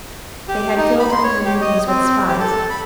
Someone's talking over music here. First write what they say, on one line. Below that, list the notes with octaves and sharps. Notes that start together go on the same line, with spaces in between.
They had filled our communities with spies.
G4
D#4
B5
C6
C#5
G4
D#5
C4
G4
A4
B5